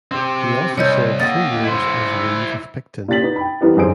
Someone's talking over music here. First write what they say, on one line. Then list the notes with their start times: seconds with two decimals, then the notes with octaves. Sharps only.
He also served three years as reeve of Picton.
0.11 C4 G4
0.78 C2 C#5 D#5 G6
1.20 A#3 D#5 F#5 A6
1.63 E4 C5
3.08 A#2 C#3 G4 A6 B6 F#7
3.22 B3 D#4
3.36 G5 B5
3.61 E3 G3 B3 C4 E4 A#4
3.76 G1 F#2 D#4 G#4 C5 D7